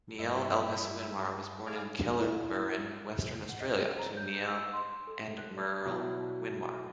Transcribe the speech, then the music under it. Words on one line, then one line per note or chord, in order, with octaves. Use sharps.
Neil Elvis Winmar was born in Kellerberrin, Western Australia, to Neil and Meryle Winmar.
G2 E4 D#5
G#4 D5 F5
E4
F#5
D#5
G#4
A#5
G6
E6
C6
A4
F#6
D5
B2 F#3 E4